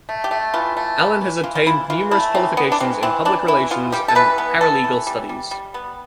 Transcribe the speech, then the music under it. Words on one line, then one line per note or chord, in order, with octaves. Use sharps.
Allen has obtained numerous qualifications in Public Relations and Paralegal Studies.
A3
G4
A3
E3 F4
A3
E3
E3
E3 F4
F4
E3 E4
E3 F4
A3 E4
E3 C4
E3 B3
D4
E3 C4
E3 C4
E3 D4
E3 E4
B3 F4
G3 G4
A4
E3 B4
B3
B3 A4
E3
G3
G3
G3
B3